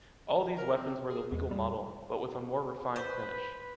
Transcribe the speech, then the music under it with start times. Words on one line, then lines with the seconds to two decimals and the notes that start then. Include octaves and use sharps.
All these weapons were the legal model, but with a more refined finish.
0.58 A#4
0.75 C4
1.09 G#4
1.32 E2 G#3
1.51 G3
2.96 B4 C5